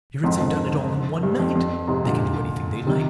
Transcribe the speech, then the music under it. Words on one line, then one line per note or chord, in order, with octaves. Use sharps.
The Spirits have done it all in one night. They can do anything they like.
F2 G#2
D3 F3
G2
F2
F2
G#2 C3
A#2 D3
C3 D#3